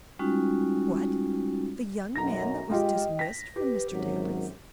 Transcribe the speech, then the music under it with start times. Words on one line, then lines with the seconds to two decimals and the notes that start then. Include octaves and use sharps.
"What! the young man that was dismissed from Mr. Tappitt's?"
0.19 G3 G#3 C#4 D#4 F4 F#4
2.16 B1 F#2 A#5 A#6
2.70 G#3 F4 G4 D#5 G5
3.19 A#6 B6
3.56 G4 B4
3.91 G#1 F#2 F#3